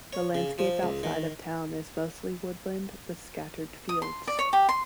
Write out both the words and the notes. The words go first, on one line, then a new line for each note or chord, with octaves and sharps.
The landscape outside of town is mostly woodland with scattered fields.
C#5
C#3
F3
C#2
D#3
D#6
C6
D5
C#5
G4
C6